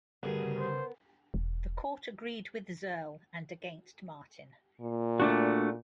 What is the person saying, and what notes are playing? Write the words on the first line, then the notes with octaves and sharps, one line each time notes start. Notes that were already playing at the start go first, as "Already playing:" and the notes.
The court agreed with Ziherl and against Martin.
D2 G2 C#3 B3 G#4 A#4
C5
E1
A#2
A3 D4 F#4